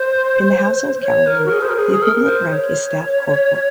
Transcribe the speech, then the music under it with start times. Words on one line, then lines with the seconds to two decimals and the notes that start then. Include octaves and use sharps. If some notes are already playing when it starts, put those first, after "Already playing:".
In the Household Cavalry the equivalent rank is staff corporal.
Already playing: C5
1.01 C#5
1.26 A#4
1.45 F#4
1.51 G#4
1.61 C5
1.68 A#4
1.75 G#4
2.01 A#4
2.26 C5
2.51 C#5